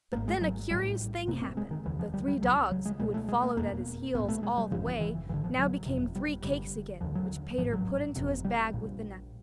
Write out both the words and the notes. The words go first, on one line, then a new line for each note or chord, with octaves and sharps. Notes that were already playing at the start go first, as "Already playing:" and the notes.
But then a curious thing happened; the three dogs, who had followed at his heels all the way, now became three cakes again, which Peter put into his bag with the napkins.
G#1 G#2 A#3
G#3
F#3
A#1 A2 G3
F#1 E2 C3 A#3
C4
G#3
D#3
F1 D#2 D3 E3
F3
G3
G3
C#2 C#3 F#3
F#3
G#3
C#2 B2 G#3
A3
G#3
A#3
F1 E2 B2 A#3
B1 B3
A2
A3
G#3
G3
G#1 F#2 C#3 F3
E3
E3
A1 G2 D3 E3
F3
F#3
G1 F2 C3
G3
G1 G2 D3 G3
E1 D#2 D3 F3
F#3
A1 G#2 F3
F#3
G1 F2 C3
G3
A#1 A#2